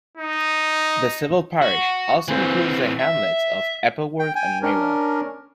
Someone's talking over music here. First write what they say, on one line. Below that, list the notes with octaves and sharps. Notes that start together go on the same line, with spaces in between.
The civil parish also includes the hamlets of Eppleworth and Raywell.
D#4
F#4
E3 C4
E5
G5
G5 G#5
C#4 D4 A#4